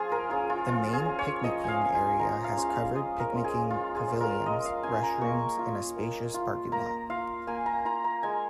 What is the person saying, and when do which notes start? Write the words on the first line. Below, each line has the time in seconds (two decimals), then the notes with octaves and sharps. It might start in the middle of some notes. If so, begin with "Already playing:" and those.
The main picnicking area has covered picnicking pavilions, restrooms, and a spacious parking lot.
Already playing: F3 C#4 F4 G#4
0.12 A#4
0.30 C#4 F4 G#4
0.50 F4
0.68 F3 F4
0.93 G#4
1.05 C#4 F4
1.19 C#5
1.44 F3 D#5
1.64 F5 G#5
1.81 C#4 F4
1.94 G#5
2.19 G#3 A#5
2.44 F5
2.57 C#4 F4
2.69 F5
2.95 G#3 D#5
3.19 A#4
3.32 C#4 F4
3.44 G#4
3.70 G#3 F4
3.95 G#4
4.08 C#4 F4
4.20 A#4
4.46 G#3 D#5
4.65 F5
4.83 C#4 F4 G#5
5.03 A#5
5.21 A#3 C#6
5.59 F4
5.96 A#3
6.34 F4
6.72 A#3 A#5
7.10 F4 F5
7.47 A#3 G#5
7.66 A#5
7.85 F4 A#5
8.04 A#5
8.23 G#3 G#5